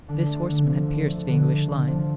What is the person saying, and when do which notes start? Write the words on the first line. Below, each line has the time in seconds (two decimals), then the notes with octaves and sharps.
This horseman had pierced the English lines.
0.08 D3 D4
0.28 A3
0.49 D3
0.68 F3
0.88 D3
1.08 A3
1.28 D3
1.48 A3
1.68 D3
1.87 F3